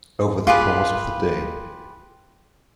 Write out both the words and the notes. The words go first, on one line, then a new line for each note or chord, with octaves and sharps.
Over the course of the day.
F4 G4 G#4 B4